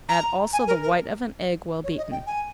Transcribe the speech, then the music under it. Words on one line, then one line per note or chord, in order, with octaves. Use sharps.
Add also the white of an egg well-beaten.
A#5
G#5
A#4
A#4
C#5
D#5
G5
G#5